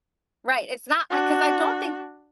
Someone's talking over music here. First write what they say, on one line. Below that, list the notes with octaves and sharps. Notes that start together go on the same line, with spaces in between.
Right, it's not I 'cause I don't think
D4 F#4